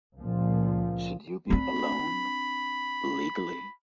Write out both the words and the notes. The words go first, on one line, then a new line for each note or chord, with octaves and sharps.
Should you be alone? Legally?
C#2 A#2 F3
C4 D4 B5